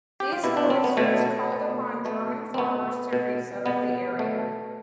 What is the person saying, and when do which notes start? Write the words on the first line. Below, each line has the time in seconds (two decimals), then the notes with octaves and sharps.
These cloisters called upon German farmers to resettle the area.
0.20 G4
0.33 F4
0.44 B2 E4
0.57 D4
0.70 C4
0.84 B3
0.97 B2 A3
1.52 B2
2.05 B2 A3
2.54 C4
2.58 B2 B3
3.13 B2
3.66 B2 B3
4.19 B2 A3